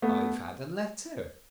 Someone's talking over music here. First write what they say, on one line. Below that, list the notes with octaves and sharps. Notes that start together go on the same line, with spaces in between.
"I've had a letter."
A3 B3